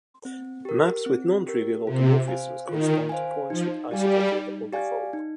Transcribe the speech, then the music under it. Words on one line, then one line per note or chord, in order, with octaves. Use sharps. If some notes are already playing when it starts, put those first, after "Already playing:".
Maps with nontrivial automorphisms correspond to points with isotropy in the orbifold.
C4
G4 A#4
C4
G4 A#4
C3 F4
C5 F5 G#5
D#3 F4
C5 F5 G#5
F3 D#4
G3 G4 D5 F5 G#5
D#4
G4 D5 F5 G#5
D#4